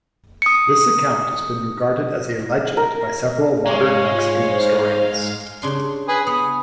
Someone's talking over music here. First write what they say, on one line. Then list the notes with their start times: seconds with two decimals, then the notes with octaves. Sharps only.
This account has been regarded as a legend by several modern Mexican historians.
0.42 D#6 C#7
2.77 A#4
3.67 G#2 G#3 G#4 C#5 F5
4.12 F4
4.50 C5
5.62 C#3 D4 C6
6.08 G#4 B4
6.27 B3 D#6